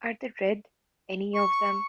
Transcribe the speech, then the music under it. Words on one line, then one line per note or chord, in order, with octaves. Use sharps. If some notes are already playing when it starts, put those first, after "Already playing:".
Are they red, any of them?
C#6